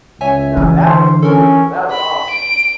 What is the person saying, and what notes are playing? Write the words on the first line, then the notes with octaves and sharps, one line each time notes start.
No, that was beautiful, that was awesome.
C#2 C#5 E5 G#5
E3
D3 C5
C#4 A4 A#4
B5
D7